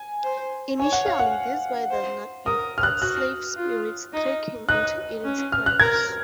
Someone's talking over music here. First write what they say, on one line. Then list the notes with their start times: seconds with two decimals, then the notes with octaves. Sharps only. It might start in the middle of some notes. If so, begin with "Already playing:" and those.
Initially, this boy does not eat, but slave spirits trick him into eating scabs.
Already playing: G#5
0.24 C5
0.79 C#5 G#5
0.92 F#5
1.06 F5
1.19 F#5
1.91 C5
2.46 A#4 D#6
2.78 F6
2.83 F#6
3.01 F#4 F#6
3.57 F4
4.13 D#4
4.69 D#4 F#6
5.24 C#4
5.52 F6
5.66 F#6
5.80 A#4 G#6